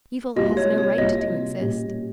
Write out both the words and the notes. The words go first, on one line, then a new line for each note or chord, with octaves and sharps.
Evil has no right to exist.
C2 C3 G3 A#3 F4 D#5
C#5
C#5
C2 C3 G3 A#3 F4 D#5
A#2 G3 C#4 G4